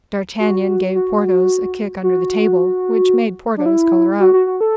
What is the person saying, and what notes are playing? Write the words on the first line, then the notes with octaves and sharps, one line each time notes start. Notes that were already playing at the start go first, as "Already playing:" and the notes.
D'Artagnan gave Porthos a kick under the table, which made Porthos color up.
F#4
F#4
F#4
D4
E4
F#4
F#4
F#4
A4